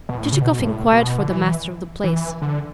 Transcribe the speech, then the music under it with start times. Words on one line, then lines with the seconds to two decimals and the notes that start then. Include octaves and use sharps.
Chichikov inquired for the master of the place.
0.09 B2
0.18 A2
0.32 C#3
0.42 B2
0.60 G2
0.67 A2
0.92 B2
1.19 D3
1.29 E3
2.04 E3
2.42 D3